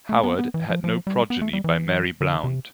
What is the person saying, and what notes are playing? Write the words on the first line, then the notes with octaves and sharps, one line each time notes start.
Howard had no progeny by Mary Blount.
A3
B3
B3
E3
F3
F3
G3
B3
A3
G3
E3
D3
C3